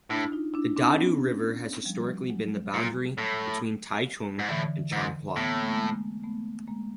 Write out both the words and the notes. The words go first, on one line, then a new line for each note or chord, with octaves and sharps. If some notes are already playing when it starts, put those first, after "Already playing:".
The Dadu River has historically been the boundary between Taichung and Changhua.
A2 D4 E4
D#4 F4
D4 E4
C4 D4
B3 C#4
F3 G3
F#3 G#3
A#2
A2
G#2
A2 D3 E3
G#2
A2 B3
A#3
A3
G#3 A#3
A3 B3
G#3 A#3